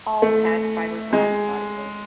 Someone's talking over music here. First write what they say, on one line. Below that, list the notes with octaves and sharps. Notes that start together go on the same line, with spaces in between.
All had fiberglass bodywork.
A3
G#3